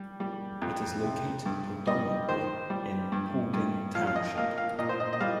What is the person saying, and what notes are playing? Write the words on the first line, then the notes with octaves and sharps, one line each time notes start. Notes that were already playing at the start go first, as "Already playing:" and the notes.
It is located predominantly in Paulding Township.
Already playing: G3
G3
F2
C3
G2
G3 D#5
D#3 C5
G3
G2
G2
F3 F5
F5
D#5
A#3 F5
F5
A#2 D#5
C5
D#5
D#5
G3 F5